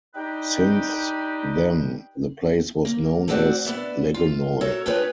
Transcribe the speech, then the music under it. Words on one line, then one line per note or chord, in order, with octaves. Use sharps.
Since then, the place was known as "Lagonoy".
D4 D#4 G4 B4 D#5 G5
A#3
A3 C4 F#4 D5 F#5
B3 D4 D5 E5
F4
F#4 A4 A#4 C#5 E5
D4 F4 G4 G#4 B4 C#5